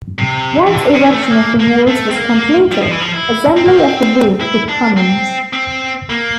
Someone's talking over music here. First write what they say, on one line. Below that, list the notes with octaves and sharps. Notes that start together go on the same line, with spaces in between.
Once erection of the walls was completed, assembly of the roof could commence.
C3
E3
D3
C3
D3
E3
A3
C4
A#3
A#3
A3
C4
A#3
G3
F3
E3
F3
E4
C4
A#3
C4
E4
D4
C4
C4
A#3